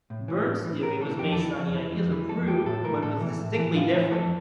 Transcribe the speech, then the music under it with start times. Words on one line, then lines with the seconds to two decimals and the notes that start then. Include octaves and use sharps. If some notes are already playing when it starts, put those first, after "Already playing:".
Berne's theory was based on the ideas of Freud but was distinctly different.
0.10 A2
0.28 E3
0.47 A2
0.65 E3
0.82 A2 A#4
1.01 E3 A4
1.19 F2 G4
1.32 A4
1.37 E3
1.56 F2
1.75 E3
1.92 F2
2.12 E3
2.29 F2 A4
2.47 E3 G4
2.66 A2 A4
2.84 E3 A#4
3.02 A2 A4
3.21 E3
3.39 A2
3.58 E3
3.76 A2 F4
3.94 E3 E4
4.12 F2 A4